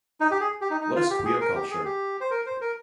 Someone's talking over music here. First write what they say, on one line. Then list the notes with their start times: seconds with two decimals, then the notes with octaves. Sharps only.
What is queer culture?
0.20 D#4
0.31 G4
0.41 G#4
0.61 G4
0.70 D#4
0.81 D#4
0.95 F4
1.10 G4
1.25 G#4
1.41 A#4
1.55 G4
1.71 G#4
1.85 G4
2.21 C5
2.31 A#4
2.46 C5
2.61 A#4